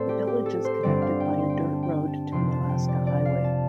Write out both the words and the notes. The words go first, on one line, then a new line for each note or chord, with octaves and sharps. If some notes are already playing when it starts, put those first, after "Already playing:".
The village is connected by a dirt road to the Alaska Highway.
Already playing: A2 A3 C4 A4 C5 D5
G4
G4
A4
C5
G2 D3 G3 C4 D5
F5
G5
C6
G5
A5
G5
A5
F2 C3 F3 C4 C6
A5
G5
D5
D5
F5
A5